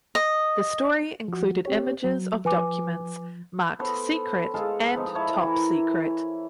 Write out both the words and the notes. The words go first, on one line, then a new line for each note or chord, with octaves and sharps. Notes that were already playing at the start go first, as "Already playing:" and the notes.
The story included images of documents marked "secret" and "top secret".
D#5
F3 F#4
C4 G4 C#5
F#3
F3 B4 G#5 D6
B3 A4 C5 C#5
G#3 F4 A4 F5
F3 D#4
E4 C#5 A5
E3 A#4